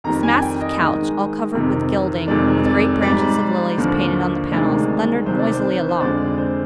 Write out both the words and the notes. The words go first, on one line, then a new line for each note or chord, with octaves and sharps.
His massive coach, all covered with gilding, with great branches of lilies painted on the panels, thundered noisily along.
F2 D#3 G3 A#5
G#5
G5
D#5
G#2 D#3 G#3
F2 C3 D#3
F2 C3 D#3 G#3 D5
D5
G#2 G3 D5
D#2 D3 F3
D2 C3 D#3 G#3 D5
C2 C3 D#3 C5
D5
C5
C5
F2 D3 G#3 D5
C5